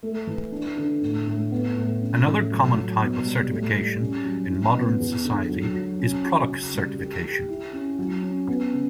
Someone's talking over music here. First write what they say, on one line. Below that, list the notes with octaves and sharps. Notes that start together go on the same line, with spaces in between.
Another common type of certification in modern society is product certification.
A3
E3
D4
D3
A2
A2
B3
A2
C#4
A2
F#3
F#3
B2
G3
A2
G3
C#4
F#3
E4
B3
E2
D3
F#3
F#3
C#4
F#4
C#3
G3
G4
G4
E4
C#4
F#3
C#4
B3
C#3